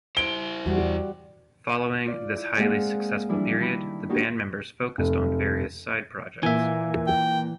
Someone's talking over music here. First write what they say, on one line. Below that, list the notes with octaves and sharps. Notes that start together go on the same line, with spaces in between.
Following this highly successful period, the band members focused on various side projects.
E4 C5 D7 G7
E2 G3 F#4
F4 D5
E4
G#3 A#3 C4 G#4 F5 F#5
E3 F3 G3 D4 E4
D#3 D4 E4 B5
A#3 D4 D#4 F#4 G4
F1
A#2 E3 A#3 E5 G#5
G5